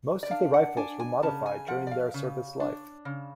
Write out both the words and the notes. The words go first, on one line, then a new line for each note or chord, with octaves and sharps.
Most of the rifles were modified during their service life.
D5
D4 F5
F#5
D4 G#5
G#5
C#3 A5
G#5
F3 F#5
D5
F5
C#3
D4
C#3